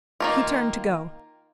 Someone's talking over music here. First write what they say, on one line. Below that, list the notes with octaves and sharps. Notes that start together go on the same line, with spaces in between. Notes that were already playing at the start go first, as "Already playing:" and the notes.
He turned to go.
D#3 A#3 F4